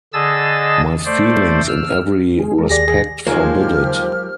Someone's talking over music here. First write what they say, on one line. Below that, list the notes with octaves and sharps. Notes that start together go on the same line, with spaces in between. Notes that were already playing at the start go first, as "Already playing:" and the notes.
My feelings in every respect forbid it.
D3 G#4 D#5 A5 E6 A6
A3 C5 D5
E6 F6
G#3 G#4
G#3 A4 A#4
D#2 G4 G#4 D5 A#6
G#4
D#2 F3 F#3 G#3 A#3 G4 F6